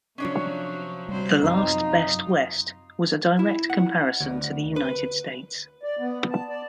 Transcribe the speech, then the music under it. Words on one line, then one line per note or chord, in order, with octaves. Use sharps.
"The Last Best West" was a direct comparison to the United States.
C3 F3 F#3 C#4 D4 C#5
C3 F#3 G3 C5
F#2 F#3 C4 D#4 F4
E4
F#5
D2
B4
D5
B3
A5
D5